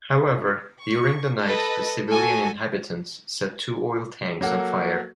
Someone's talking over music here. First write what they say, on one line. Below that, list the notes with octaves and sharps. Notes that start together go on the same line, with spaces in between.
However, during the night the civilian inhabitants set two oil tanks on fire.
C#6
A4 B4 D#5
F#4 A4 G#5
F#3 A#3 F#4 A4